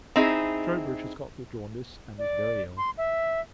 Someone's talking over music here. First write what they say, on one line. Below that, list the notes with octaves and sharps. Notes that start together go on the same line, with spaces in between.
Troubridge has got the jaundice, and is very ill.
C4 D#4 E4 G#4
D5
C6
E5